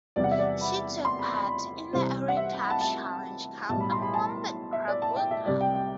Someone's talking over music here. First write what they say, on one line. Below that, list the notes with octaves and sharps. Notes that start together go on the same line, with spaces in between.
She took part in the Aero Club Challenge Cup and won the Krabbe Cup.
E2 C3 G3 D5
F#5
E5
D5
B5
C6
B5
B5
B5
C2 C3 E3 G3 C5
F#5
E5
B5
A5
A5
B1 A2 E3 G3 A5
B5
C6
B5
A5
E5
D5
A5
G5
E5
C2 C3 G3 D5
G5
G5